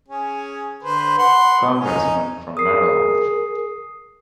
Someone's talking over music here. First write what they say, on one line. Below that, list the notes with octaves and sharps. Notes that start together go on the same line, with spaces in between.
Congressman from Maryland.
C#4 G#4
D3 B4 C5
B4 F#5 C6
C#4 D#4
G#4 A#4 D#6 C7